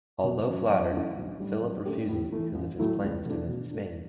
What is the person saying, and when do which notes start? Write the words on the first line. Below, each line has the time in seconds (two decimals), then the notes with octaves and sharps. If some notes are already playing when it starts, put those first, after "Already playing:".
Although flattered, Philip refuses because of his plans to visit Spain.
0.24 B2
0.47 F#3 C#4
0.69 F#2
0.93 D3 A3 C#4 E4
1.16 B1
1.40 A2 G3 D4
1.62 F#2
1.85 D3 A3 C#4 G4
2.09 A2
2.32 E3 A3
2.55 A1
2.79 A2 F#3 A3 E4
3.02 C#2
3.25 B2 F#3 A3 D4
3.48 B2
3.71 A3 D4